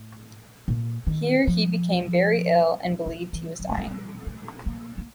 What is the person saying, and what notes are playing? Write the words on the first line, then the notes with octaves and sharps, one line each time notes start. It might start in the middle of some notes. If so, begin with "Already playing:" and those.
Here he became very ill, and believed he was dying.
Already playing: A2
A#2
D#3
F3
E3
E3
F#3
A3
G#3
G3
A3
A#3
A#3